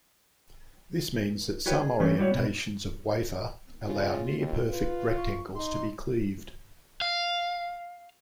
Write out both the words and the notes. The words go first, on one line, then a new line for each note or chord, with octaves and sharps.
This means that some orientations of wafer allow near-perfect rectangles to be cleaved.
E4 F#4 G4 B4 C#5
G#4
E3 G3 A3 C#4
G3 E4 F#4 C#5
B2 B3
C#3 F4
D#2 F4
F4 B4
C#6
D#4 C6
F5